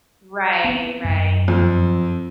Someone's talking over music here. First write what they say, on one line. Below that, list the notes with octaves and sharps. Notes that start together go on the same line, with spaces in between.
right. Right.
B3 C4
F#2
F2